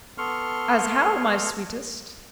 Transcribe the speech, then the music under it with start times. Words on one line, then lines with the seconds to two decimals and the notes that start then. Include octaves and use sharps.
"As how, my sweetest?"
0.18 B3 A4 C6 C#6 F6